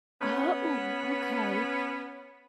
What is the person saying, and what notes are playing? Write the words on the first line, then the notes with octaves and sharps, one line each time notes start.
Ah, oh, okay.
B3 C#4